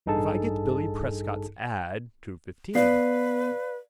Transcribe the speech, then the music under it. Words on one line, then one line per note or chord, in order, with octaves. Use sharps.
If I get Billy Prescott's ad: two fifteen.
A1 G2 D#4 G#4 A4 A5
B3 B4 D5 F5 C7